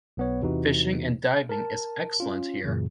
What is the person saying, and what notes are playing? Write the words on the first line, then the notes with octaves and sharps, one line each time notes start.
Fishing and diving is excellent here.
B1 B3 C#5
E2 C3 E3 D#4 F#4
A#4 A5
C#4 F4
F#2 A#2 C#3 E3